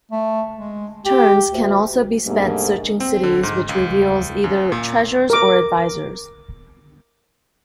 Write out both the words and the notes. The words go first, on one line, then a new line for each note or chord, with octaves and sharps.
Turns can also be spent searching cities which reveals either treasures or advisors.
A3
G#3
G4
D2
G#2 C3 G3 A3 A#3 D4
C4
D3
G#2
C#2
F#2
A#2
A#4 D6